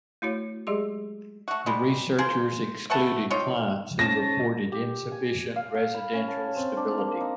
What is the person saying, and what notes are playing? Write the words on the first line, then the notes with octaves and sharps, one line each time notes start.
The researchers excluded clients who reported insufficient residential stability.
A3 E4 F#4 C#5
F#3 G#3 G4 G#4 C6
A3 F#4
G3 G#3
F4 G#4 A#4 C5
A3 B4 F#5 A5
D#4 F4 C#5 G5
C#4 C5 A5 A#6
G4
G#5
F5
F5
B5
C#4
A5
C4
D4
A#3
D#4